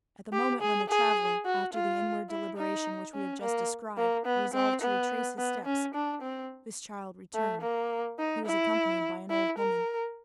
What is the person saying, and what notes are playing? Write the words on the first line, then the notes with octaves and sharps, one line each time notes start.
At the moment when the traveller, after the inward deliberation which we have just described, resolved to retrace his steps, this child returned. He was accompanied by an old woman.
G4
G#4
G#4
F#4
F4
E4
D#4
C#4
A#3
A#3
B3
C4
B3
B3
C#4
D4
C4
A3
A#3
D#4
E4
E4
A#4